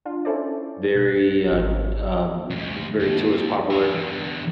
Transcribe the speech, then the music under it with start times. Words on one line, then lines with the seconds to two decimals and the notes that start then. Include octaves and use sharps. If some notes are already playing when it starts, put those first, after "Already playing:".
very, uh uh, v very tourist popular,
0.05 D4 F4
0.25 C#4 E4 A4 C5 D5
0.94 B1 F#6
1.51 G#1
2.50 D2 G2
3.00 D#2
3.70 G#4 E5
3.94 E2 D3